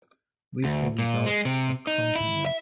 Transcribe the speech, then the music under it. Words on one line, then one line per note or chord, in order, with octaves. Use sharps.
With or without accompaniment.
D2
A#2
G#3
C3
D#4
E4
E5